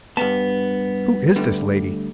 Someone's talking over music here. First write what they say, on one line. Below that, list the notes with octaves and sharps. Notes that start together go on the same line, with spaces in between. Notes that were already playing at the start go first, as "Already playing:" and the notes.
Who is this lady?
G2 B3 A5
D2 D3 G3